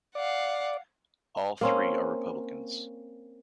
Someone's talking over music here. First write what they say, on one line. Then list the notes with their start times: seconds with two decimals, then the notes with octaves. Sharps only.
All three are Republicans.
0.15 D5 F5 F#5
1.61 A#3 C4 C#4